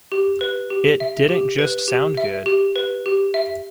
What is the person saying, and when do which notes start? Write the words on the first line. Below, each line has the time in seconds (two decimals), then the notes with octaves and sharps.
It didn't just sound good.
0.12 G4
0.41 B4
0.70 G4
1.00 E5
1.29 G4
1.59 B4
1.88 G4
2.17 E5
2.46 G4
2.76 B4
3.06 G4
3.34 E5